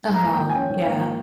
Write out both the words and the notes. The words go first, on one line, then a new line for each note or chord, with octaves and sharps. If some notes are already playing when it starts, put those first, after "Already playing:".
uh-huh, yeah
G#2 A#5
A#3
G5
F3
G#5
C#4 G5
G#2
A#3 F5
F3